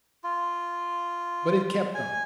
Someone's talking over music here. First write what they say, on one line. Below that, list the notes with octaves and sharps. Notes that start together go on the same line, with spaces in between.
But it kept on.
F4
G#5